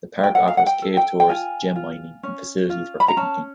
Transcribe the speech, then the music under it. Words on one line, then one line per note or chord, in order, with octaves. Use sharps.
The park offers cave tours, gem mining, and facilities for picnicking.
G5
A4 F#5
F5
F#5
G5
A4
G5
G5
F4 G#5
F4
C#4
F4
B5
A#5
C#4 A5